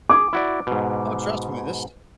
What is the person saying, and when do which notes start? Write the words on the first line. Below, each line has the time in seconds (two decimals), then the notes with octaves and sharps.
Oh, trust me, this
0.09 G#4 D6
0.33 E4 F#4 D5
0.67 G#2 B2